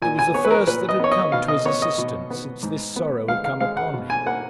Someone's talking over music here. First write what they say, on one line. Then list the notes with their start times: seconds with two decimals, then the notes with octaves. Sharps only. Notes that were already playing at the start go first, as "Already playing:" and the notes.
It was the first that had come to his assistance since this sorrow had come upon him.
0.02 A#2 G#5
0.19 G#5
0.34 B3 C#5
0.45 B4
0.51 A#4
0.67 A#2 B4
0.89 D#5
1.00 B3 C#5
1.12 D#5
1.32 B2 F5
1.48 D#5
1.65 B3 C#5
1.82 D#5
1.98 B2
2.30 B3
2.63 G#2
2.96 B3
3.28 G#3 F5
3.44 F5
3.60 G#3 F5
3.77 F#5
3.93 B2
4.10 G#5
4.26 A#3 F#5